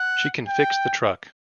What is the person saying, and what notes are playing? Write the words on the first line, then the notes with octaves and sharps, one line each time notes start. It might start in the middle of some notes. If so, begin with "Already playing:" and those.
She can fix the truck.
Already playing: F#5
G5